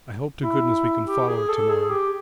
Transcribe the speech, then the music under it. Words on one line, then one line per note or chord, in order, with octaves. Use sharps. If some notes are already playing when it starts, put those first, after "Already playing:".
I hope to goodness we can follow it to-morrow.
E4
G4
G#4
A4
G#4
G4